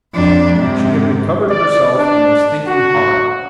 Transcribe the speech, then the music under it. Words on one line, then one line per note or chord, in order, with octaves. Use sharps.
She had recovered herself and was thinking hard.
F2 D4
G#2 C3
D5
D4
F#4